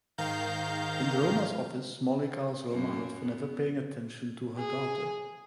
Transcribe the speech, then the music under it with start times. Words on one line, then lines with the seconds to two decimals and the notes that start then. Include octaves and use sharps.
In Roma's office, Molly calls Roma out for never paying attention to her daughter.
0.18 G#2 D#3 F5 A#5 G6
2.70 F#2 A#3
3.21 B3
4.58 G#4